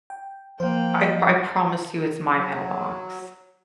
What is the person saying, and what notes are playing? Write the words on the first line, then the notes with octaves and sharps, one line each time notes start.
I I promise you it's my mailbox.
G5
F3 A#3 C5 G5
D#5 F5 A6
F#3